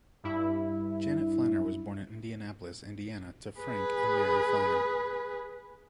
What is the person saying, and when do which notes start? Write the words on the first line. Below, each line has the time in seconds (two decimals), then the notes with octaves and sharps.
Janet Flanner was born in Indianapolis, Indiana to Frank and Mary Flanner.
0.24 G2 E4
3.58 G#4 B4